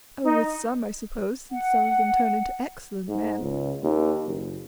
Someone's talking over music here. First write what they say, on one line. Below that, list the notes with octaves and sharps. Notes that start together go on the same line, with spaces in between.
"Oh, with some, I suppose; since some of them turn into excellent men."
D#4
F#5
G#2
C#2
D#2
F#1